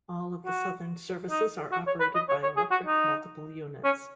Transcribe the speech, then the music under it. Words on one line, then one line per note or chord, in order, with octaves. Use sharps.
All of the Southern services are operated by electric multiple-units.
F#4
D#4
F#4
C#5
B4
D#5
C#5
C#5
G#4
F#4
D#4
C#4